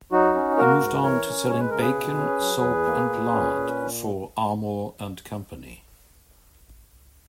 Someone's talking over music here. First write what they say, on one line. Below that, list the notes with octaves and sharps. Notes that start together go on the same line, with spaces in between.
He moved on to selling bacon, soap, and lard for Armour and Company.
F#3 D#4 F#4
C#4
A#3 F#4 A#4
G#2
E3 A#4 C#5
C#4
G#3 C#5
B4
C#3 A#4
G#4 B4
B2
C#4
F#3
E2
A#3
A#2
C#4
A#2